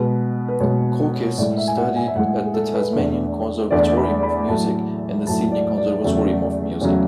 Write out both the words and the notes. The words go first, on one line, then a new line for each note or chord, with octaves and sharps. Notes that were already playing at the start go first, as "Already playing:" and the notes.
Koukias studied at the Tasmanian Conservatorium of Music and the Sydney Conservatorium of Music.
Already playing: B2 G#3 B4
B4
B2 G#3 C#5
A2 G#3 D5
E5
G#5
F#5
G#5
E5
A2 G#3 F#5
G#4
A4
B4
E2 D3 A3
E2 D3 A3 D5
B5
B5
A2 F#3 A3 A5
A2 F#3 A3 A5
D5
D5
E2 C#3 F#3 A3
E2 C#3 F#3 A3